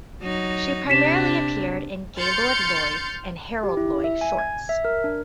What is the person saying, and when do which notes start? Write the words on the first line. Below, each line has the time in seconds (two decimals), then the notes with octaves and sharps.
She primarily appeared in Gaylord Lloyd and Harold Lloyd shorts.
0.22 F#3 D#4
0.90 C3 D4 B6 E7
2.18 C6 F6 G6 A6 C#7
3.63 G4
3.77 E4
4.04 E5
4.21 G#5
4.38 G#6
4.69 E5
4.85 A#4
5.04 D4